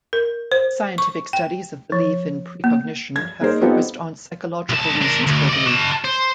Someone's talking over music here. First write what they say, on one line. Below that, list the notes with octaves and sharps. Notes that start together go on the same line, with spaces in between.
Scientific studies of belief in precognition have focused on psychological reasons for belief.
A#4
C5
C#6
G5
F3
A#3
G#6
A#3 D#4 G#4 A#4 C5
B3 C4 D#4 F4 G4 A4
C2 A5
D4 A#4
D2
D5 D#5
F#4 A5
C5